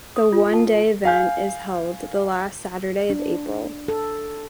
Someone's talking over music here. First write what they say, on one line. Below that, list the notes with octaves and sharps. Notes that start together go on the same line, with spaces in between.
The one day event is held the last Saturday of April.
D#6
F4
A5
F5 G#5 G6
D4
A4